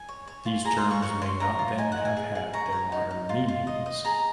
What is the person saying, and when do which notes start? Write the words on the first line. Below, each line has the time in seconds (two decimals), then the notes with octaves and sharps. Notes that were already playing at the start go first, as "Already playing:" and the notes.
These terms may not then have had their modern meanings.
Already playing: G#5
0.08 C#5
0.27 C#5
0.45 F4
0.64 G#4 A#5
0.78 C6
0.84 F4
0.91 C#6
1.02 C#5 C#6
1.22 C#5 C6
1.40 A#4 A#5
1.59 F4
1.78 D#4 G#5
1.92 F#5
1.97 D#4
2.05 G#5
2.17 G#4
2.35 G#4
2.53 C#5 A#5
2.72 C#5
2.92 D#4
3.11 D#4
3.29 F4
3.48 F4
3.67 D#5
3.86 D#5
4.05 G#4 A#5